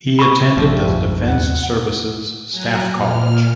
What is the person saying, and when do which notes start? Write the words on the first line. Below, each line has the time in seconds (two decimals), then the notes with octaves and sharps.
He attended the Defence Services Staff College.
0.19 B5 C#6
0.56 A#1 G2 F3 G3 A3
0.88 F2 G#2
1.27 D#2 B3 C4 F#5
2.51 F#3 G#5 A#5 F#6
2.90 A#2 F6